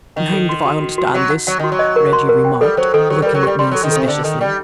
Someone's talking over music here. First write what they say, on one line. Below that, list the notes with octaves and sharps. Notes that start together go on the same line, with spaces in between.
"I'm hanged if I understand this!" Reggie remarked, looking at me suspiciously.
D#3 F#5
A4
C6
F#4
F#4
F#4
F#3 F#5
F#5
F#3 F#5
D#3 F#4
F#3
D#5
A#4
C6
A#4
G5
G3 A4
F#3 C5
D#3 A4
F#3 G4
G3 A#4
F#3
G3 G4
G3 C6
F#3 A4
D#3
C3 A4
D3 A4
D#3 A4
G3 G5